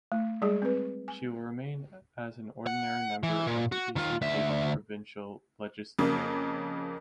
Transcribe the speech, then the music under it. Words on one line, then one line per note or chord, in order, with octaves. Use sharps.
She will remain as an ordinary member of the Eastern Cape provincial legislature.
A3
G3 G#3 G#4
C4 B4
G#5
F#5
E3
A#2
F#4
D#3 F4
D2 E5
F2 C#3 A#3